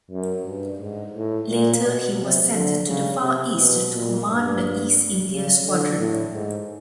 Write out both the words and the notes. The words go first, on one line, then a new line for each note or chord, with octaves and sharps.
Later he was sent to the Far East to command the East India Squadron.
F#2
G2
G#2
A2
A#2
B2
C3
D3
C#3
C3
B2
A#2
G2
C#3
D3
A2
G#2